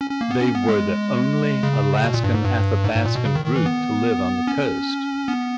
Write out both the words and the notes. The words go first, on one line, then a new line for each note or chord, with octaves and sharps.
They were the only Alaskan Athabaskan group to live on the coast.
C#4
C#4
A#3
B3
C#4
B3
G#3
C#3
B2
A#2
G2
G#2
G2
G#2
G#2
A#2
B2
C#3
D#3
D#3
E3
B3
C#4
B3